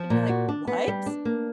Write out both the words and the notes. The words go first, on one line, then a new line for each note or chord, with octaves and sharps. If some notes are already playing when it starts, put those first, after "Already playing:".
And you're like, "What?"
Already playing: F3
A#2
F#4
D4
B3
G3
D4
A#3